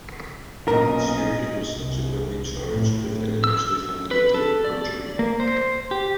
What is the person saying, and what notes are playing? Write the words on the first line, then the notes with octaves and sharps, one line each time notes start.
Sheridan was subsequently charged with and eventually found guilty of perjury.
B1 A#2 C#4 A#4 D#5
C2
A2
E6
B4
A4
D5
A#3
C5
G4